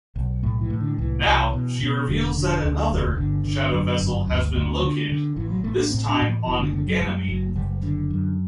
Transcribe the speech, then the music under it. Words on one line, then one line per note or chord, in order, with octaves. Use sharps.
Now, she reveals that another Shadow vessel has been located, this time on Ganymede.
B1
A2 A3
E3
A2
D3
C2 E3
C2
B2
B2
E1 D3
D3
D2
E1
G1 D3
D3
F#2
G1
D2
D2
D3
D3
A1 E3
F#3
A1 A3
D4
A2 C4
D4
A2
E3
F#1 E3
D3
D3
F#3
F#2 G3
F#1 F#3
F#1 G3
D3
F#2